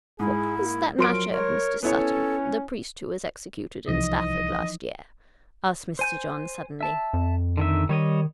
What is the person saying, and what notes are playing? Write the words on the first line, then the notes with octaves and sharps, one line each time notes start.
"What was that matter of Mr. Sutton, the priest who was executed in Stafford last year?" asked Mr. John suddenly.
G#2 E4 G#4
A#3
F3 F#3 A#4 C6 D7
A#4 C#5
B3 C#4 E4 A4 C#5
C2 E3 F3 D#4 D#5
C5 G#5 G6
E5 A5
F2
D3 D#3 E5
D#3 G3 C#5 D#5